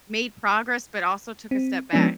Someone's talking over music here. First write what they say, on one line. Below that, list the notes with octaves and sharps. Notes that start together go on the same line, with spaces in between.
made progress, but also took a step back.
C4
F3 G#3 B3 C#4 D4